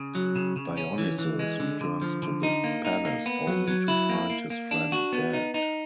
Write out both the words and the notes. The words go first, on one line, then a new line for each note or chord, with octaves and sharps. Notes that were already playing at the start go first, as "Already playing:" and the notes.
Dionysus returns to the palace only to find his friend dead.
Already playing: C#3
F#3
C#3
C#3
C#4
E3
E3
G#3
D3
D3
F3
D3
D#4
A#3
D#4
A#3
B3
F#3
F#3
E4
A#3
A#3
A#3
D4
F#4
B3
D#4
D#4